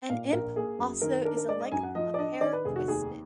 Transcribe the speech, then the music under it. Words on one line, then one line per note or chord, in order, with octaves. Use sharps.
An imp also is a length of hair twisted.
A#2 F5
A#1 A#4
A#3 G#4
F#2
D#3 A#4
D4 A#4
A#4
G#3 D5
D#5
F#2 G#5
F#5
F3 D#5
D5
D4 D#5
D#3 D5
B4
F1 G#4
F#4
D#2 G#4